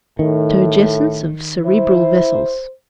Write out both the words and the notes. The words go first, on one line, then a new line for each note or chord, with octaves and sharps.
Turgescence of cerebral vessels.
A2 D#3
E4 C5